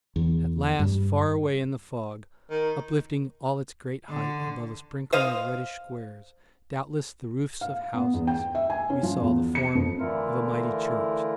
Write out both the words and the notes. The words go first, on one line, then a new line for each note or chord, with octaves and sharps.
At last, far away in the fog, uplifting all its great height above a sprinkling of reddish squares, doubtless the roofs of houses, we saw the form of a mighty church.
E2
G2
D#3
D3
C5 D#5 F5
F5
B3
E2
G5
E5
G#5
C#4
F3
E2
C#7
F2
D3 E3 A3 E4 F4 A#4